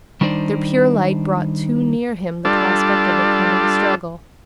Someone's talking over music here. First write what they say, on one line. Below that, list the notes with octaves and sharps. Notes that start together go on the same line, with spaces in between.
Their pure light brought too near him the prospect of a coming struggle.
D#3 G3 D4 D#4 C5 D5
G3 D4 F4 A4